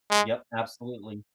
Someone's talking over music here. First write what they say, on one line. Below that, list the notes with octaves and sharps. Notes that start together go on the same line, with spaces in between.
Yup, absolutely.
G#3